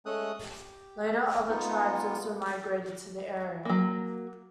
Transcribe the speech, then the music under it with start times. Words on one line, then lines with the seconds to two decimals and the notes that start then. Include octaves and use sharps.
Later, other tribes also migrated to the area.
0.06 G#3 A3 C#4 A4 D#6 F#6
0.43 G4
1.49 B3 D#4 F4
3.65 F#3 A#3